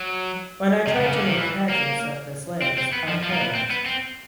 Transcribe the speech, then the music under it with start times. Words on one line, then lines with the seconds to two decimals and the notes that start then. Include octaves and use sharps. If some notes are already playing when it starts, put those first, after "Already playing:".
When I tried to make hedges of the slaves, I couldn't.
Already playing: F#3
0.87 C3
1.00 C#3
1.13 D3
1.25 D#3
1.38 E3
1.69 A#3
2.62 C4
2.78 C4
2.93 B3
3.08 F3
3.24 F3
3.32 A#3
3.39 B3
3.55 C4
3.71 B3
3.86 C4